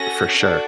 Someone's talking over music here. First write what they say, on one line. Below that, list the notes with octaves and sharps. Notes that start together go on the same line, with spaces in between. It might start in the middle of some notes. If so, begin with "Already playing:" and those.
for sure.
Already playing: C#4 F#4 A4 A#6
D4 F#4 A4